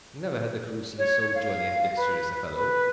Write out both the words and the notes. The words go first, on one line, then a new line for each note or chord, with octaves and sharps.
Never had the crew seen so jolly and dexterous a fellow.
C#5
F5
B4
B4